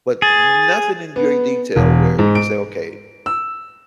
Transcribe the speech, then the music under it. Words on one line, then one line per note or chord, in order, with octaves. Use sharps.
but n nothing in your detail where you can say, "Okay,
G#4 A6
B3
E1
G#2
D7
E6